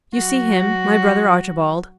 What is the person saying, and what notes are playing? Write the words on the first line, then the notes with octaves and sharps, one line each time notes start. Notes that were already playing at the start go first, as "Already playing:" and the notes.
"You see him--my brother Archibald?"
F#3 F#4